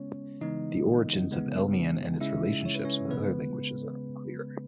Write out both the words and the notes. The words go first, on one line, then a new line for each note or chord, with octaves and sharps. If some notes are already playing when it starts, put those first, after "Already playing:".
The origins of Elymian and its relationships with other languages are unclear.
Already playing: C#3 G#3 B3 C#4 C#5
C#3 E3 G#3 B3 D#4 D#5
C#3 G#3 B3
C#3 G#3 C#4 E4 E5
C#5
B4
C#4 C#5
C#3 G#3 B3 B4